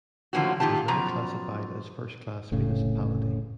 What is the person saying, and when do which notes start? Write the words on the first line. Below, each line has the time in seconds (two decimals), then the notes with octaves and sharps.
It is now classified as first class municipality.
0.33 A2 D3 F3 A#3 C#4 F#4
0.60 A#2 D#3 F4 G4 A5
0.88 F#2 B2 F3 A#5
2.51 F1 A2 C#3